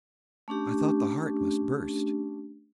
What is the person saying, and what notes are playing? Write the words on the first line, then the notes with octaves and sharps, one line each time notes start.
I thought the heart must burst.
A3 C#4 D4 G4